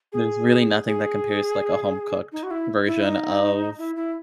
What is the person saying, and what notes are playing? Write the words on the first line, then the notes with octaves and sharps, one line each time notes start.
there's really nothing that compares to, like, a home cooked version of
G#4
G#4
D#4
F#4
E4
E4
D#4
E4
E4